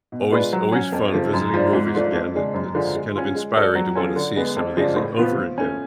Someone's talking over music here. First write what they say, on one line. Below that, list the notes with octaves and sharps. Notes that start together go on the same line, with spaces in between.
Always always fun visiting movies again, it it's kind of inspiring to wanna see some of these a over again.
B2
G#3 D4 F4 B4
F#3
C#4 F#4
F2
C#3 F3 A3
F#2
F3 G#3 D4
G#2
F3 A3 D4 F4
F2
C#3 G#3 D4
F#2
D3 F3 G#3
G#3
C#4 F4
G#3
D4 F#4 A4 C#5
F#3
C#4 F4 A4
D3
G#3 B3
F2
C#3 F3 G#3 D4
A2
F3 B3 F4
F3
A3 C#4